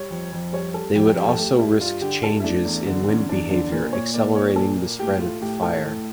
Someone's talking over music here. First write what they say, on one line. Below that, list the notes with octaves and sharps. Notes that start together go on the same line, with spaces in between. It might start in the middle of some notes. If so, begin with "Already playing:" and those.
They would also risk changes in wind behaviour accelerating the spread of the fire.
Already playing: G3 C#5
F2
F2
G3 C#5
G3 A4
F2 G4
G2 G4
A4
A3 G4
G2 E4
G2 F4
D3 G4
G2 A4
E4
A3 D4
E2
D3
E2 C#4
E2 D4
D3 D4
A#2 A#4
A#2 C#5
A#3 D5
A#2 C#5
A#2 A4
A#3
A2 G4
A3 F4
A2 G4
A2 A4
A2